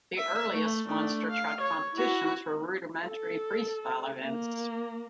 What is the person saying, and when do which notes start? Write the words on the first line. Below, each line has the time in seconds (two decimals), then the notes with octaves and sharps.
The earliest monster truck competitions were rudimentary freestyle events.
0.18 E5
0.51 A3
0.86 A3 D4
1.30 F5
1.61 C#5
1.94 E4 F#4
3.06 A4
4.25 A#3